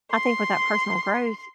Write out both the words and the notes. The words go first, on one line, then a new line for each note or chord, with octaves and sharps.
I think with that personal growth,
C6